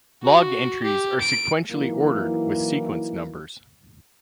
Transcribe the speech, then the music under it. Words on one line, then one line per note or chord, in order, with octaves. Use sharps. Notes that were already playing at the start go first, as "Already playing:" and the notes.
Log entries are sequentially ordered with Sequence Numbers.
F#4
G4
D7
E3 F#3 A#3 D#4 E4